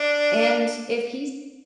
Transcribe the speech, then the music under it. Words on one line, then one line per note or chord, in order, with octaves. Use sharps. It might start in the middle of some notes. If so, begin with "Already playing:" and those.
And if he's
Already playing: D4